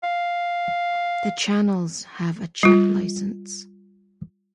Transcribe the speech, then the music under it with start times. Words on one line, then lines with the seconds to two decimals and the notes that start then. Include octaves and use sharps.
The channels have a Czech license.
0.03 F5
2.63 G3 F4